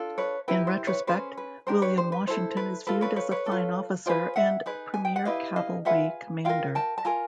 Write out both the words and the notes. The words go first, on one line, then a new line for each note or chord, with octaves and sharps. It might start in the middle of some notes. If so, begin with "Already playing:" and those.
In retrospect, William Washington is viewed as a fine officer and premier cavalry commander.
Already playing: D4 F4 A4
B4 C#5
E4 G4 A#4 B4
C5
B4 C#5
C#4 F4 G#4 B4 C5
B4
D4 G4 A#4 C5
B4 C#5
C5
B4
E4 A4 C5
B4
F4 A4 B4
B4 C#5
B4 C#5
B4 C#5
A4
F4
F4 G#4 B4 C5 D5
E5 F#5
D#4 G#4 B4
G#5
G5
F#5
E4 G4 B4 D#5 F5
D#5 F5
F4 G#4 B4 E5 F#5
F4 A#4 F5 G5
G5 A5
A5
F4 A#4 G#5 A#5